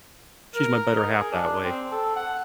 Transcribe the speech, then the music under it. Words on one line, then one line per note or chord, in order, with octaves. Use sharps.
she's my better half that way.
A#4
D#4
G#4
D4
C4
A4
F#5